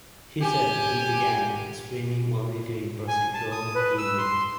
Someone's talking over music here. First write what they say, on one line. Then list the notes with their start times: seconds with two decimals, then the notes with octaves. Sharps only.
He said he began swimming only to impress a girl he met.
0.41 G4 G#5
3.08 G#5
3.34 A5
3.52 D#6
3.75 B4
3.98 E6
4.18 C6